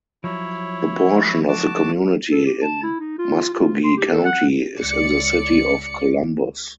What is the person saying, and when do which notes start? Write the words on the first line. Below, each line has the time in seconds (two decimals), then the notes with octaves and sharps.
The portion of the community in Muscogee County is in the city of Columbus.
0.24 F3 F#3 E4 C#5
1.48 F#4 A5 D6
2.32 A4
2.46 G4
2.62 A5
2.83 E4
3.00 D#4
3.18 F4
3.54 F4
3.84 C6
3.97 G4
4.12 A4
4.25 F#5
4.79 C#2 D5 C#7